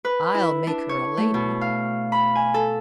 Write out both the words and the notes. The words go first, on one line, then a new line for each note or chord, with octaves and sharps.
"I'll make her a lady."
B4
E4
D4
C#5
A3
B2
F5
B5
G#5
A4